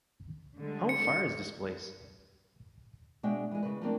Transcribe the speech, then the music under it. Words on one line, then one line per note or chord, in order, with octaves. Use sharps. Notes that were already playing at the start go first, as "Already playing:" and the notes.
How far is this place?
D3 G3 G#3
C#7
B2 G#3 D4 E5 G5
E3 G#3
C#3 G#3 B4
F3 A3 A#3 C4 D4